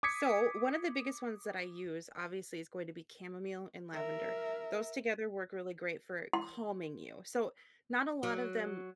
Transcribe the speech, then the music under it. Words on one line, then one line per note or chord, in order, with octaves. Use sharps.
So, one of the biggest ones that I use obviously is going to be chamomile and lavender. Those together work really great for calming you. So, not a lot of them
D6 D#6 G#6 B6 C#7
A#4 E5
C6
F#3